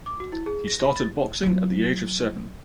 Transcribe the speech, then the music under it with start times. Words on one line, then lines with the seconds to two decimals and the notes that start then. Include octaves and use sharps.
He started boxing at the age of seven.
0.06 D6
0.20 F#4
0.32 E4
0.46 G#4
0.68 A#6
0.85 B5
0.97 A6
1.43 F#3 F4